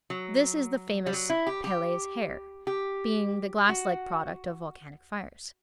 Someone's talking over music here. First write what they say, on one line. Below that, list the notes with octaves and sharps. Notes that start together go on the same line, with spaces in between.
This is the famous Pele's Hair, being the glass-like product of volcanic fires.
F#3
G3
F#3
E4
G4
G4
G4
F#4